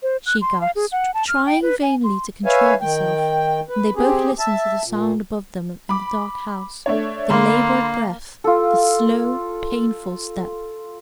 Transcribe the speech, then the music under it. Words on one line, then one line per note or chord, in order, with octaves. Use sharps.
She gasped, trying vainly to control herself, and they both listened to the sounds above them in the dark house--the labored breath, the slow, painful step.
C5
F#6
C6
F5
G#4
F#5
A5
F6
G5
B4
G#5
C6
B4 C#5 E5 F5 G#5
D#3 G5
B4
C4 G4 G#4
E5 A5
A#2
B5 D6
A3 D4 C#5
D3 A#3 B5 C6
F4 A4